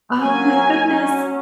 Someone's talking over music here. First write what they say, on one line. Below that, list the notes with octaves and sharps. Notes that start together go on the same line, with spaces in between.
Oh my goodness!
F#3 A#3 C#4 G#5
F#3 C#4